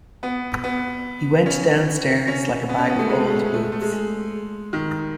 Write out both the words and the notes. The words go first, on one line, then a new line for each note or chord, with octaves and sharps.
He went downstairs like a bag of old boots.
B3
B3
C#4
C#4
B3
C#4
B3
A3
G#3
A3
G#3
A3
G#3
A3
G#3
A3
G#3
G#3
D#3